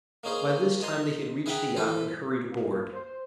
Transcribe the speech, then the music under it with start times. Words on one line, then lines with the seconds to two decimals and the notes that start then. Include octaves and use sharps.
By this time they had reached the yacht and hurried aboard.
0.24 A#3 C#4 D#4 G#4 C5
0.82 D#5 A5 A#5 C6
1.46 G#4 B4 E5 F#5 G5 A#5
1.76 E3 A4 B4 C5
2.50 A#3
2.93 C5